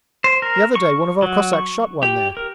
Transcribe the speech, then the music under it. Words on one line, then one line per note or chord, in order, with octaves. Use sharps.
The other day one of our Cossacks shot one there.
C5
A#4
C#6
F#3
C#6
G4
A#4